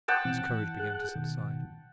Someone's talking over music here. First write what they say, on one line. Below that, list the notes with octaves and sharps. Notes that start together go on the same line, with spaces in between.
His courage began to subside.
F#5 G5 A5 C6 D6 D#6
B2 E3 C4
E3
G#4 F#6
B2 D#3